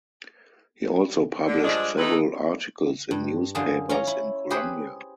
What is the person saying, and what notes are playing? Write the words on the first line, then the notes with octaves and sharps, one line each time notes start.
He also published several articles in newspapers in Colombia.
D3
G2 F3 G#3 D4
C3 E3 A3 D#4 A4 B4
G2
F#2 D3 F4 G#4 A5
C#4 F4 C#5 A#5
E4
G4 G#4 B4 C5 B5